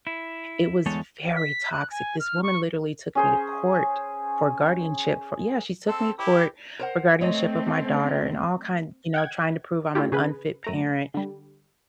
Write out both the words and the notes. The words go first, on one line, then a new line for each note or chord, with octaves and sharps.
it was very toxic. This woman literally took me to court for guardianship for yeah, she took me to court for guardianship of my daughter and all kind you know, trying to prove I'm an unfit parent.
E4
E2 D3 G#3 A3 A4 C#5
B6
F#6
G#5
F6
C#6
C#4 G#4 C5
C4 A4
E4 G4
A#4 C5 F#5
A3 C4 C#5 D#5
F#5 G5 G#6
A3 E4 F4 G4
C#3 G#4 B4
F#2 A3 A#5
D3 G3